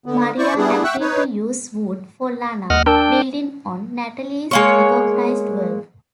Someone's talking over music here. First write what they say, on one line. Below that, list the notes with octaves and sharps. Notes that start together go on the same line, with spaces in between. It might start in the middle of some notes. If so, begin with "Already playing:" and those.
Maria agreed to use "Wood" for Lana, building on Natalie's recognized work.
D3 B3
E4 C5 D5 C#6
G3 B3 D4 E4 G#4
E5 F#5 G5 C#6 E6 F#6
D#4 B4 C#5
D#2 D#5 F#5 F6
D4 A#4 G5 A5 E6
G#3 A#3 C#5